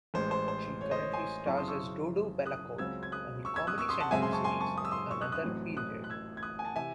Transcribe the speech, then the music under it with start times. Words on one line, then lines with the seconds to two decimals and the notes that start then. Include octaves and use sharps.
She currently stars as Dodo Bellacourt on the Comedy Central series "Another Period".
0.14 A1 A2 G#3 C5
0.31 C5
0.48 C5
0.81 C#5
0.91 C5 D#5
1.02 C#5
1.13 G#5 C6
1.46 F#2 C#3 E3 C4 A5 C#6
1.57 C6 D#6
1.68 C#6 E6
2.46 D#6 F#6
2.78 C#2 C#3 F#3 C4 E6 G#6
3.03 G#6
3.12 D#6 F#6
3.45 C#6 E6
3.56 E6 G#6
3.67 D#6 F#6
3.78 C#6 E6
3.89 C6 D#6
4.00 F#5 A5
4.11 F#2 C#3 G#3 C4 E5 G#5
4.22 G#5 C6
4.33 A5 C#6
4.44 G#5 C6
4.60 A5 C#6
4.78 D#6
4.85 E6
4.91 C6 D#6
5.11 C#6 E6
5.21 D#6 F#6
5.32 D#6 F#6
5.44 A1 A2 F#3 C4
5.77 D#6 F#6
6.04 F#6
6.10 E6 G#6
6.37 G#6
6.43 D#6 F#6
6.59 G#5
6.65 F#5 A5
6.76 C3 E3 E5 G#5